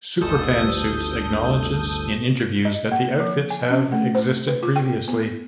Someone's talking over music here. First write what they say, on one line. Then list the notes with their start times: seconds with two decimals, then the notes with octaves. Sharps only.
Superfan Suits acknowledges in interviews that the outfits have existed previously.
0.21 G1 D2 A4 D#6 G6
2.65 D#5
2.92 A#3
3.20 F3
3.50 G#5
3.70 C#4
3.92 A3
4.15 C5
4.47 B4
4.63 F4
4.76 G5
5.08 B3